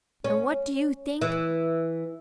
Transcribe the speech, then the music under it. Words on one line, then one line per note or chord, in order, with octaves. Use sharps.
And what do you think!
C#4
E3